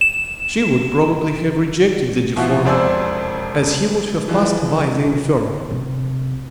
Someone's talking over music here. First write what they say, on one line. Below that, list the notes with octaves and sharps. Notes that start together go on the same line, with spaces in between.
She would probably have rejected the deformed, as he would have passed by the infirm.
E7
B2 F3 E4 F#4
E1 F2 C5 D5 G#5 E6
E3 F3 G#3
C3